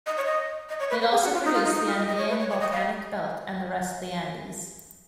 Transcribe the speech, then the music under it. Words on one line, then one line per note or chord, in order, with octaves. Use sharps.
It also produced the Andean Volcanic Belt and the rest of the Andes.
D#5
C#5
D#5
D#5
C#5
B4
B4
G#4
F#4
F4
D#4
F4
D#4
D#4
F4
D#5
D#5
C#5
B4
C#5
C#5
D#5
F5